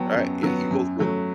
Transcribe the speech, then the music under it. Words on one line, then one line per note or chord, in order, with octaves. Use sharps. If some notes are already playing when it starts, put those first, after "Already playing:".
right. Yeah, you go through it
Already playing: F#3 B3 G5 A5
F#2
F#3 B3
F#2
F#3 A3